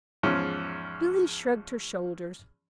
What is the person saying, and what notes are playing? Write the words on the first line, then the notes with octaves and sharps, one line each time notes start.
Billy shrugged her shoulders.
E2 G#2 F3 C#4